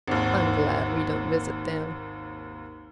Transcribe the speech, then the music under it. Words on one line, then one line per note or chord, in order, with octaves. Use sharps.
I'm glad we don't visit them.
G#1 D#2